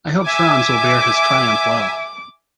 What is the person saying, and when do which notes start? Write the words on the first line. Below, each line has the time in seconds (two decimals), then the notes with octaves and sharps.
I hope Franz will bear his triumph well.
0.24 E5 G#5 D6